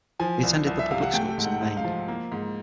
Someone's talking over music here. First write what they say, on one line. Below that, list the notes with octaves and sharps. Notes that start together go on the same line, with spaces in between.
He attended the public schools in Maine.
F3 G#5
C2
C2
E5
C3 F5
F#5
A3 G5
G#2
F#5
G#2
F5
F3
A#3
G#2